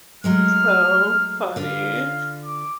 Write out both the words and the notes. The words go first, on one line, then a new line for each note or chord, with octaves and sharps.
so funny.
F#3 G#3 A3 F6
D3 F4 F5
D6